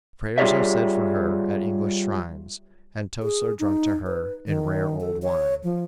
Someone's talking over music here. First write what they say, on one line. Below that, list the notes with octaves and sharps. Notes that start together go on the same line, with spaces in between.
Prayers are said for her at English shrines, and toasts are drunk to her in rare old wine.
G3 F4 G#4 C#5 D5 E5
G#4
D#4
B4
D#3
A4
C#5
F3